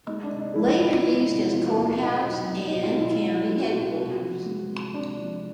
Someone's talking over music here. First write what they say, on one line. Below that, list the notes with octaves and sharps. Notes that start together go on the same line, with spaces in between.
Later used as court house and county headquarters.
G#3 D#4
D4
C3
D#4
F3 E4
D#4
E2 E4
G#3 E4
C3
E4
F3 F4
F#4
E2 F4
B2 D#4
F#3
A3 D#4
D#4
B2
F4
F4
B2 E4
F#3
A3 F4
F#4
B2 F4
C3 F#4
F3
G#3
C3
C3 D4
F3